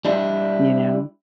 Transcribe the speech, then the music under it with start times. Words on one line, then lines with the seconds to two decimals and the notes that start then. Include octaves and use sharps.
You know?
0.05 G3 D4 E4